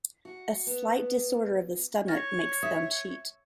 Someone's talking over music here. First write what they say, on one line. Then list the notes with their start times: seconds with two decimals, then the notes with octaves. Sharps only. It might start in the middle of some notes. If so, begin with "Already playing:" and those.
A slight disorder of the stomach makes them cheat.
0.25 F#4
0.67 B3
2.08 C#5 F6 A6 A#6
2.63 E5 D#6